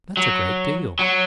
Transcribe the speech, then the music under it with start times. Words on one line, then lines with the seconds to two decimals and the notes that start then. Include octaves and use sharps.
"That's a great deal."
0.17 F#3
0.99 F#3